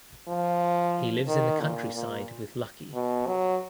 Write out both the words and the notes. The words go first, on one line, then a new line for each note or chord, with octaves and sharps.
He lives in the countryside with Lucky.
F3
D#3
A#2
A#2
B2
F#3